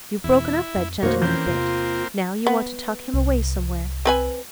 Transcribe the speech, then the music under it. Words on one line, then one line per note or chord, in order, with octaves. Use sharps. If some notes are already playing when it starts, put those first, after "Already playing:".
You've broken up that gentleman a bit; now you want to tuck him away somewhere.
E2 B2 E4
F2
F2 B2 D#3 A3 A#3 F#4 C5 C#5
E3 A#3 C4 C#4 G6
E2 C3 F4
B3
C2
C4 B4 G#5